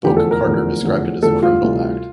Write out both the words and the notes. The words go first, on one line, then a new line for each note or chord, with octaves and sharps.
Boake Carter described it as a criminal act.
F1 E2 D3 F3 G4
A4
A#4
F1 E2 D3 F3
F1 E2 D3 F3
F1 E2 D3 F3 A4
F4
D2 C3 E3 G3